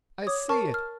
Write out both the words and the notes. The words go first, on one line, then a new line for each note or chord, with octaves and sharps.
I see it!
C#5 D6 D#6
A#4 A5 C#6
F6